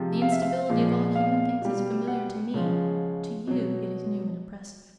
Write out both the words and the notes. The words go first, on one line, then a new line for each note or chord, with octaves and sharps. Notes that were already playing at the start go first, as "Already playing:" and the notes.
The instability of all human things is familiar to me, to you it is new and oppressive.'
Already playing: C3 F3 G#3
F5
E5
F5
A#2 F3 G#3
F5
B2 G3
F#5
C#3 F3 G#3
B2 F#3